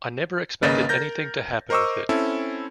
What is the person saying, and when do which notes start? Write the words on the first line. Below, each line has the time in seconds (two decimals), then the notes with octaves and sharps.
I never expected anything to happen with it.
0.62 G#1 C#3 A#3 B4 D#5 A6
0.89 A#4 G6 A#6
1.70 A#4 C5 D#5 C#6 D6 E6
2.09 C4 C#4 E4 A4